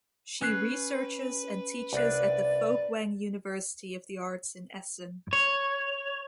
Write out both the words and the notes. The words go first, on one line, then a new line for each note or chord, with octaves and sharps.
She researches and teaches at the Folkwang University of the Arts in Essen.
C#4 B4 F#6 C7
C2 D4 D5
C#5